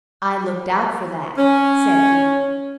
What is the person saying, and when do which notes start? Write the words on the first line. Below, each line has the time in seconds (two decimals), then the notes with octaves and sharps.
"I looked out for that," said he.
1.38 C#4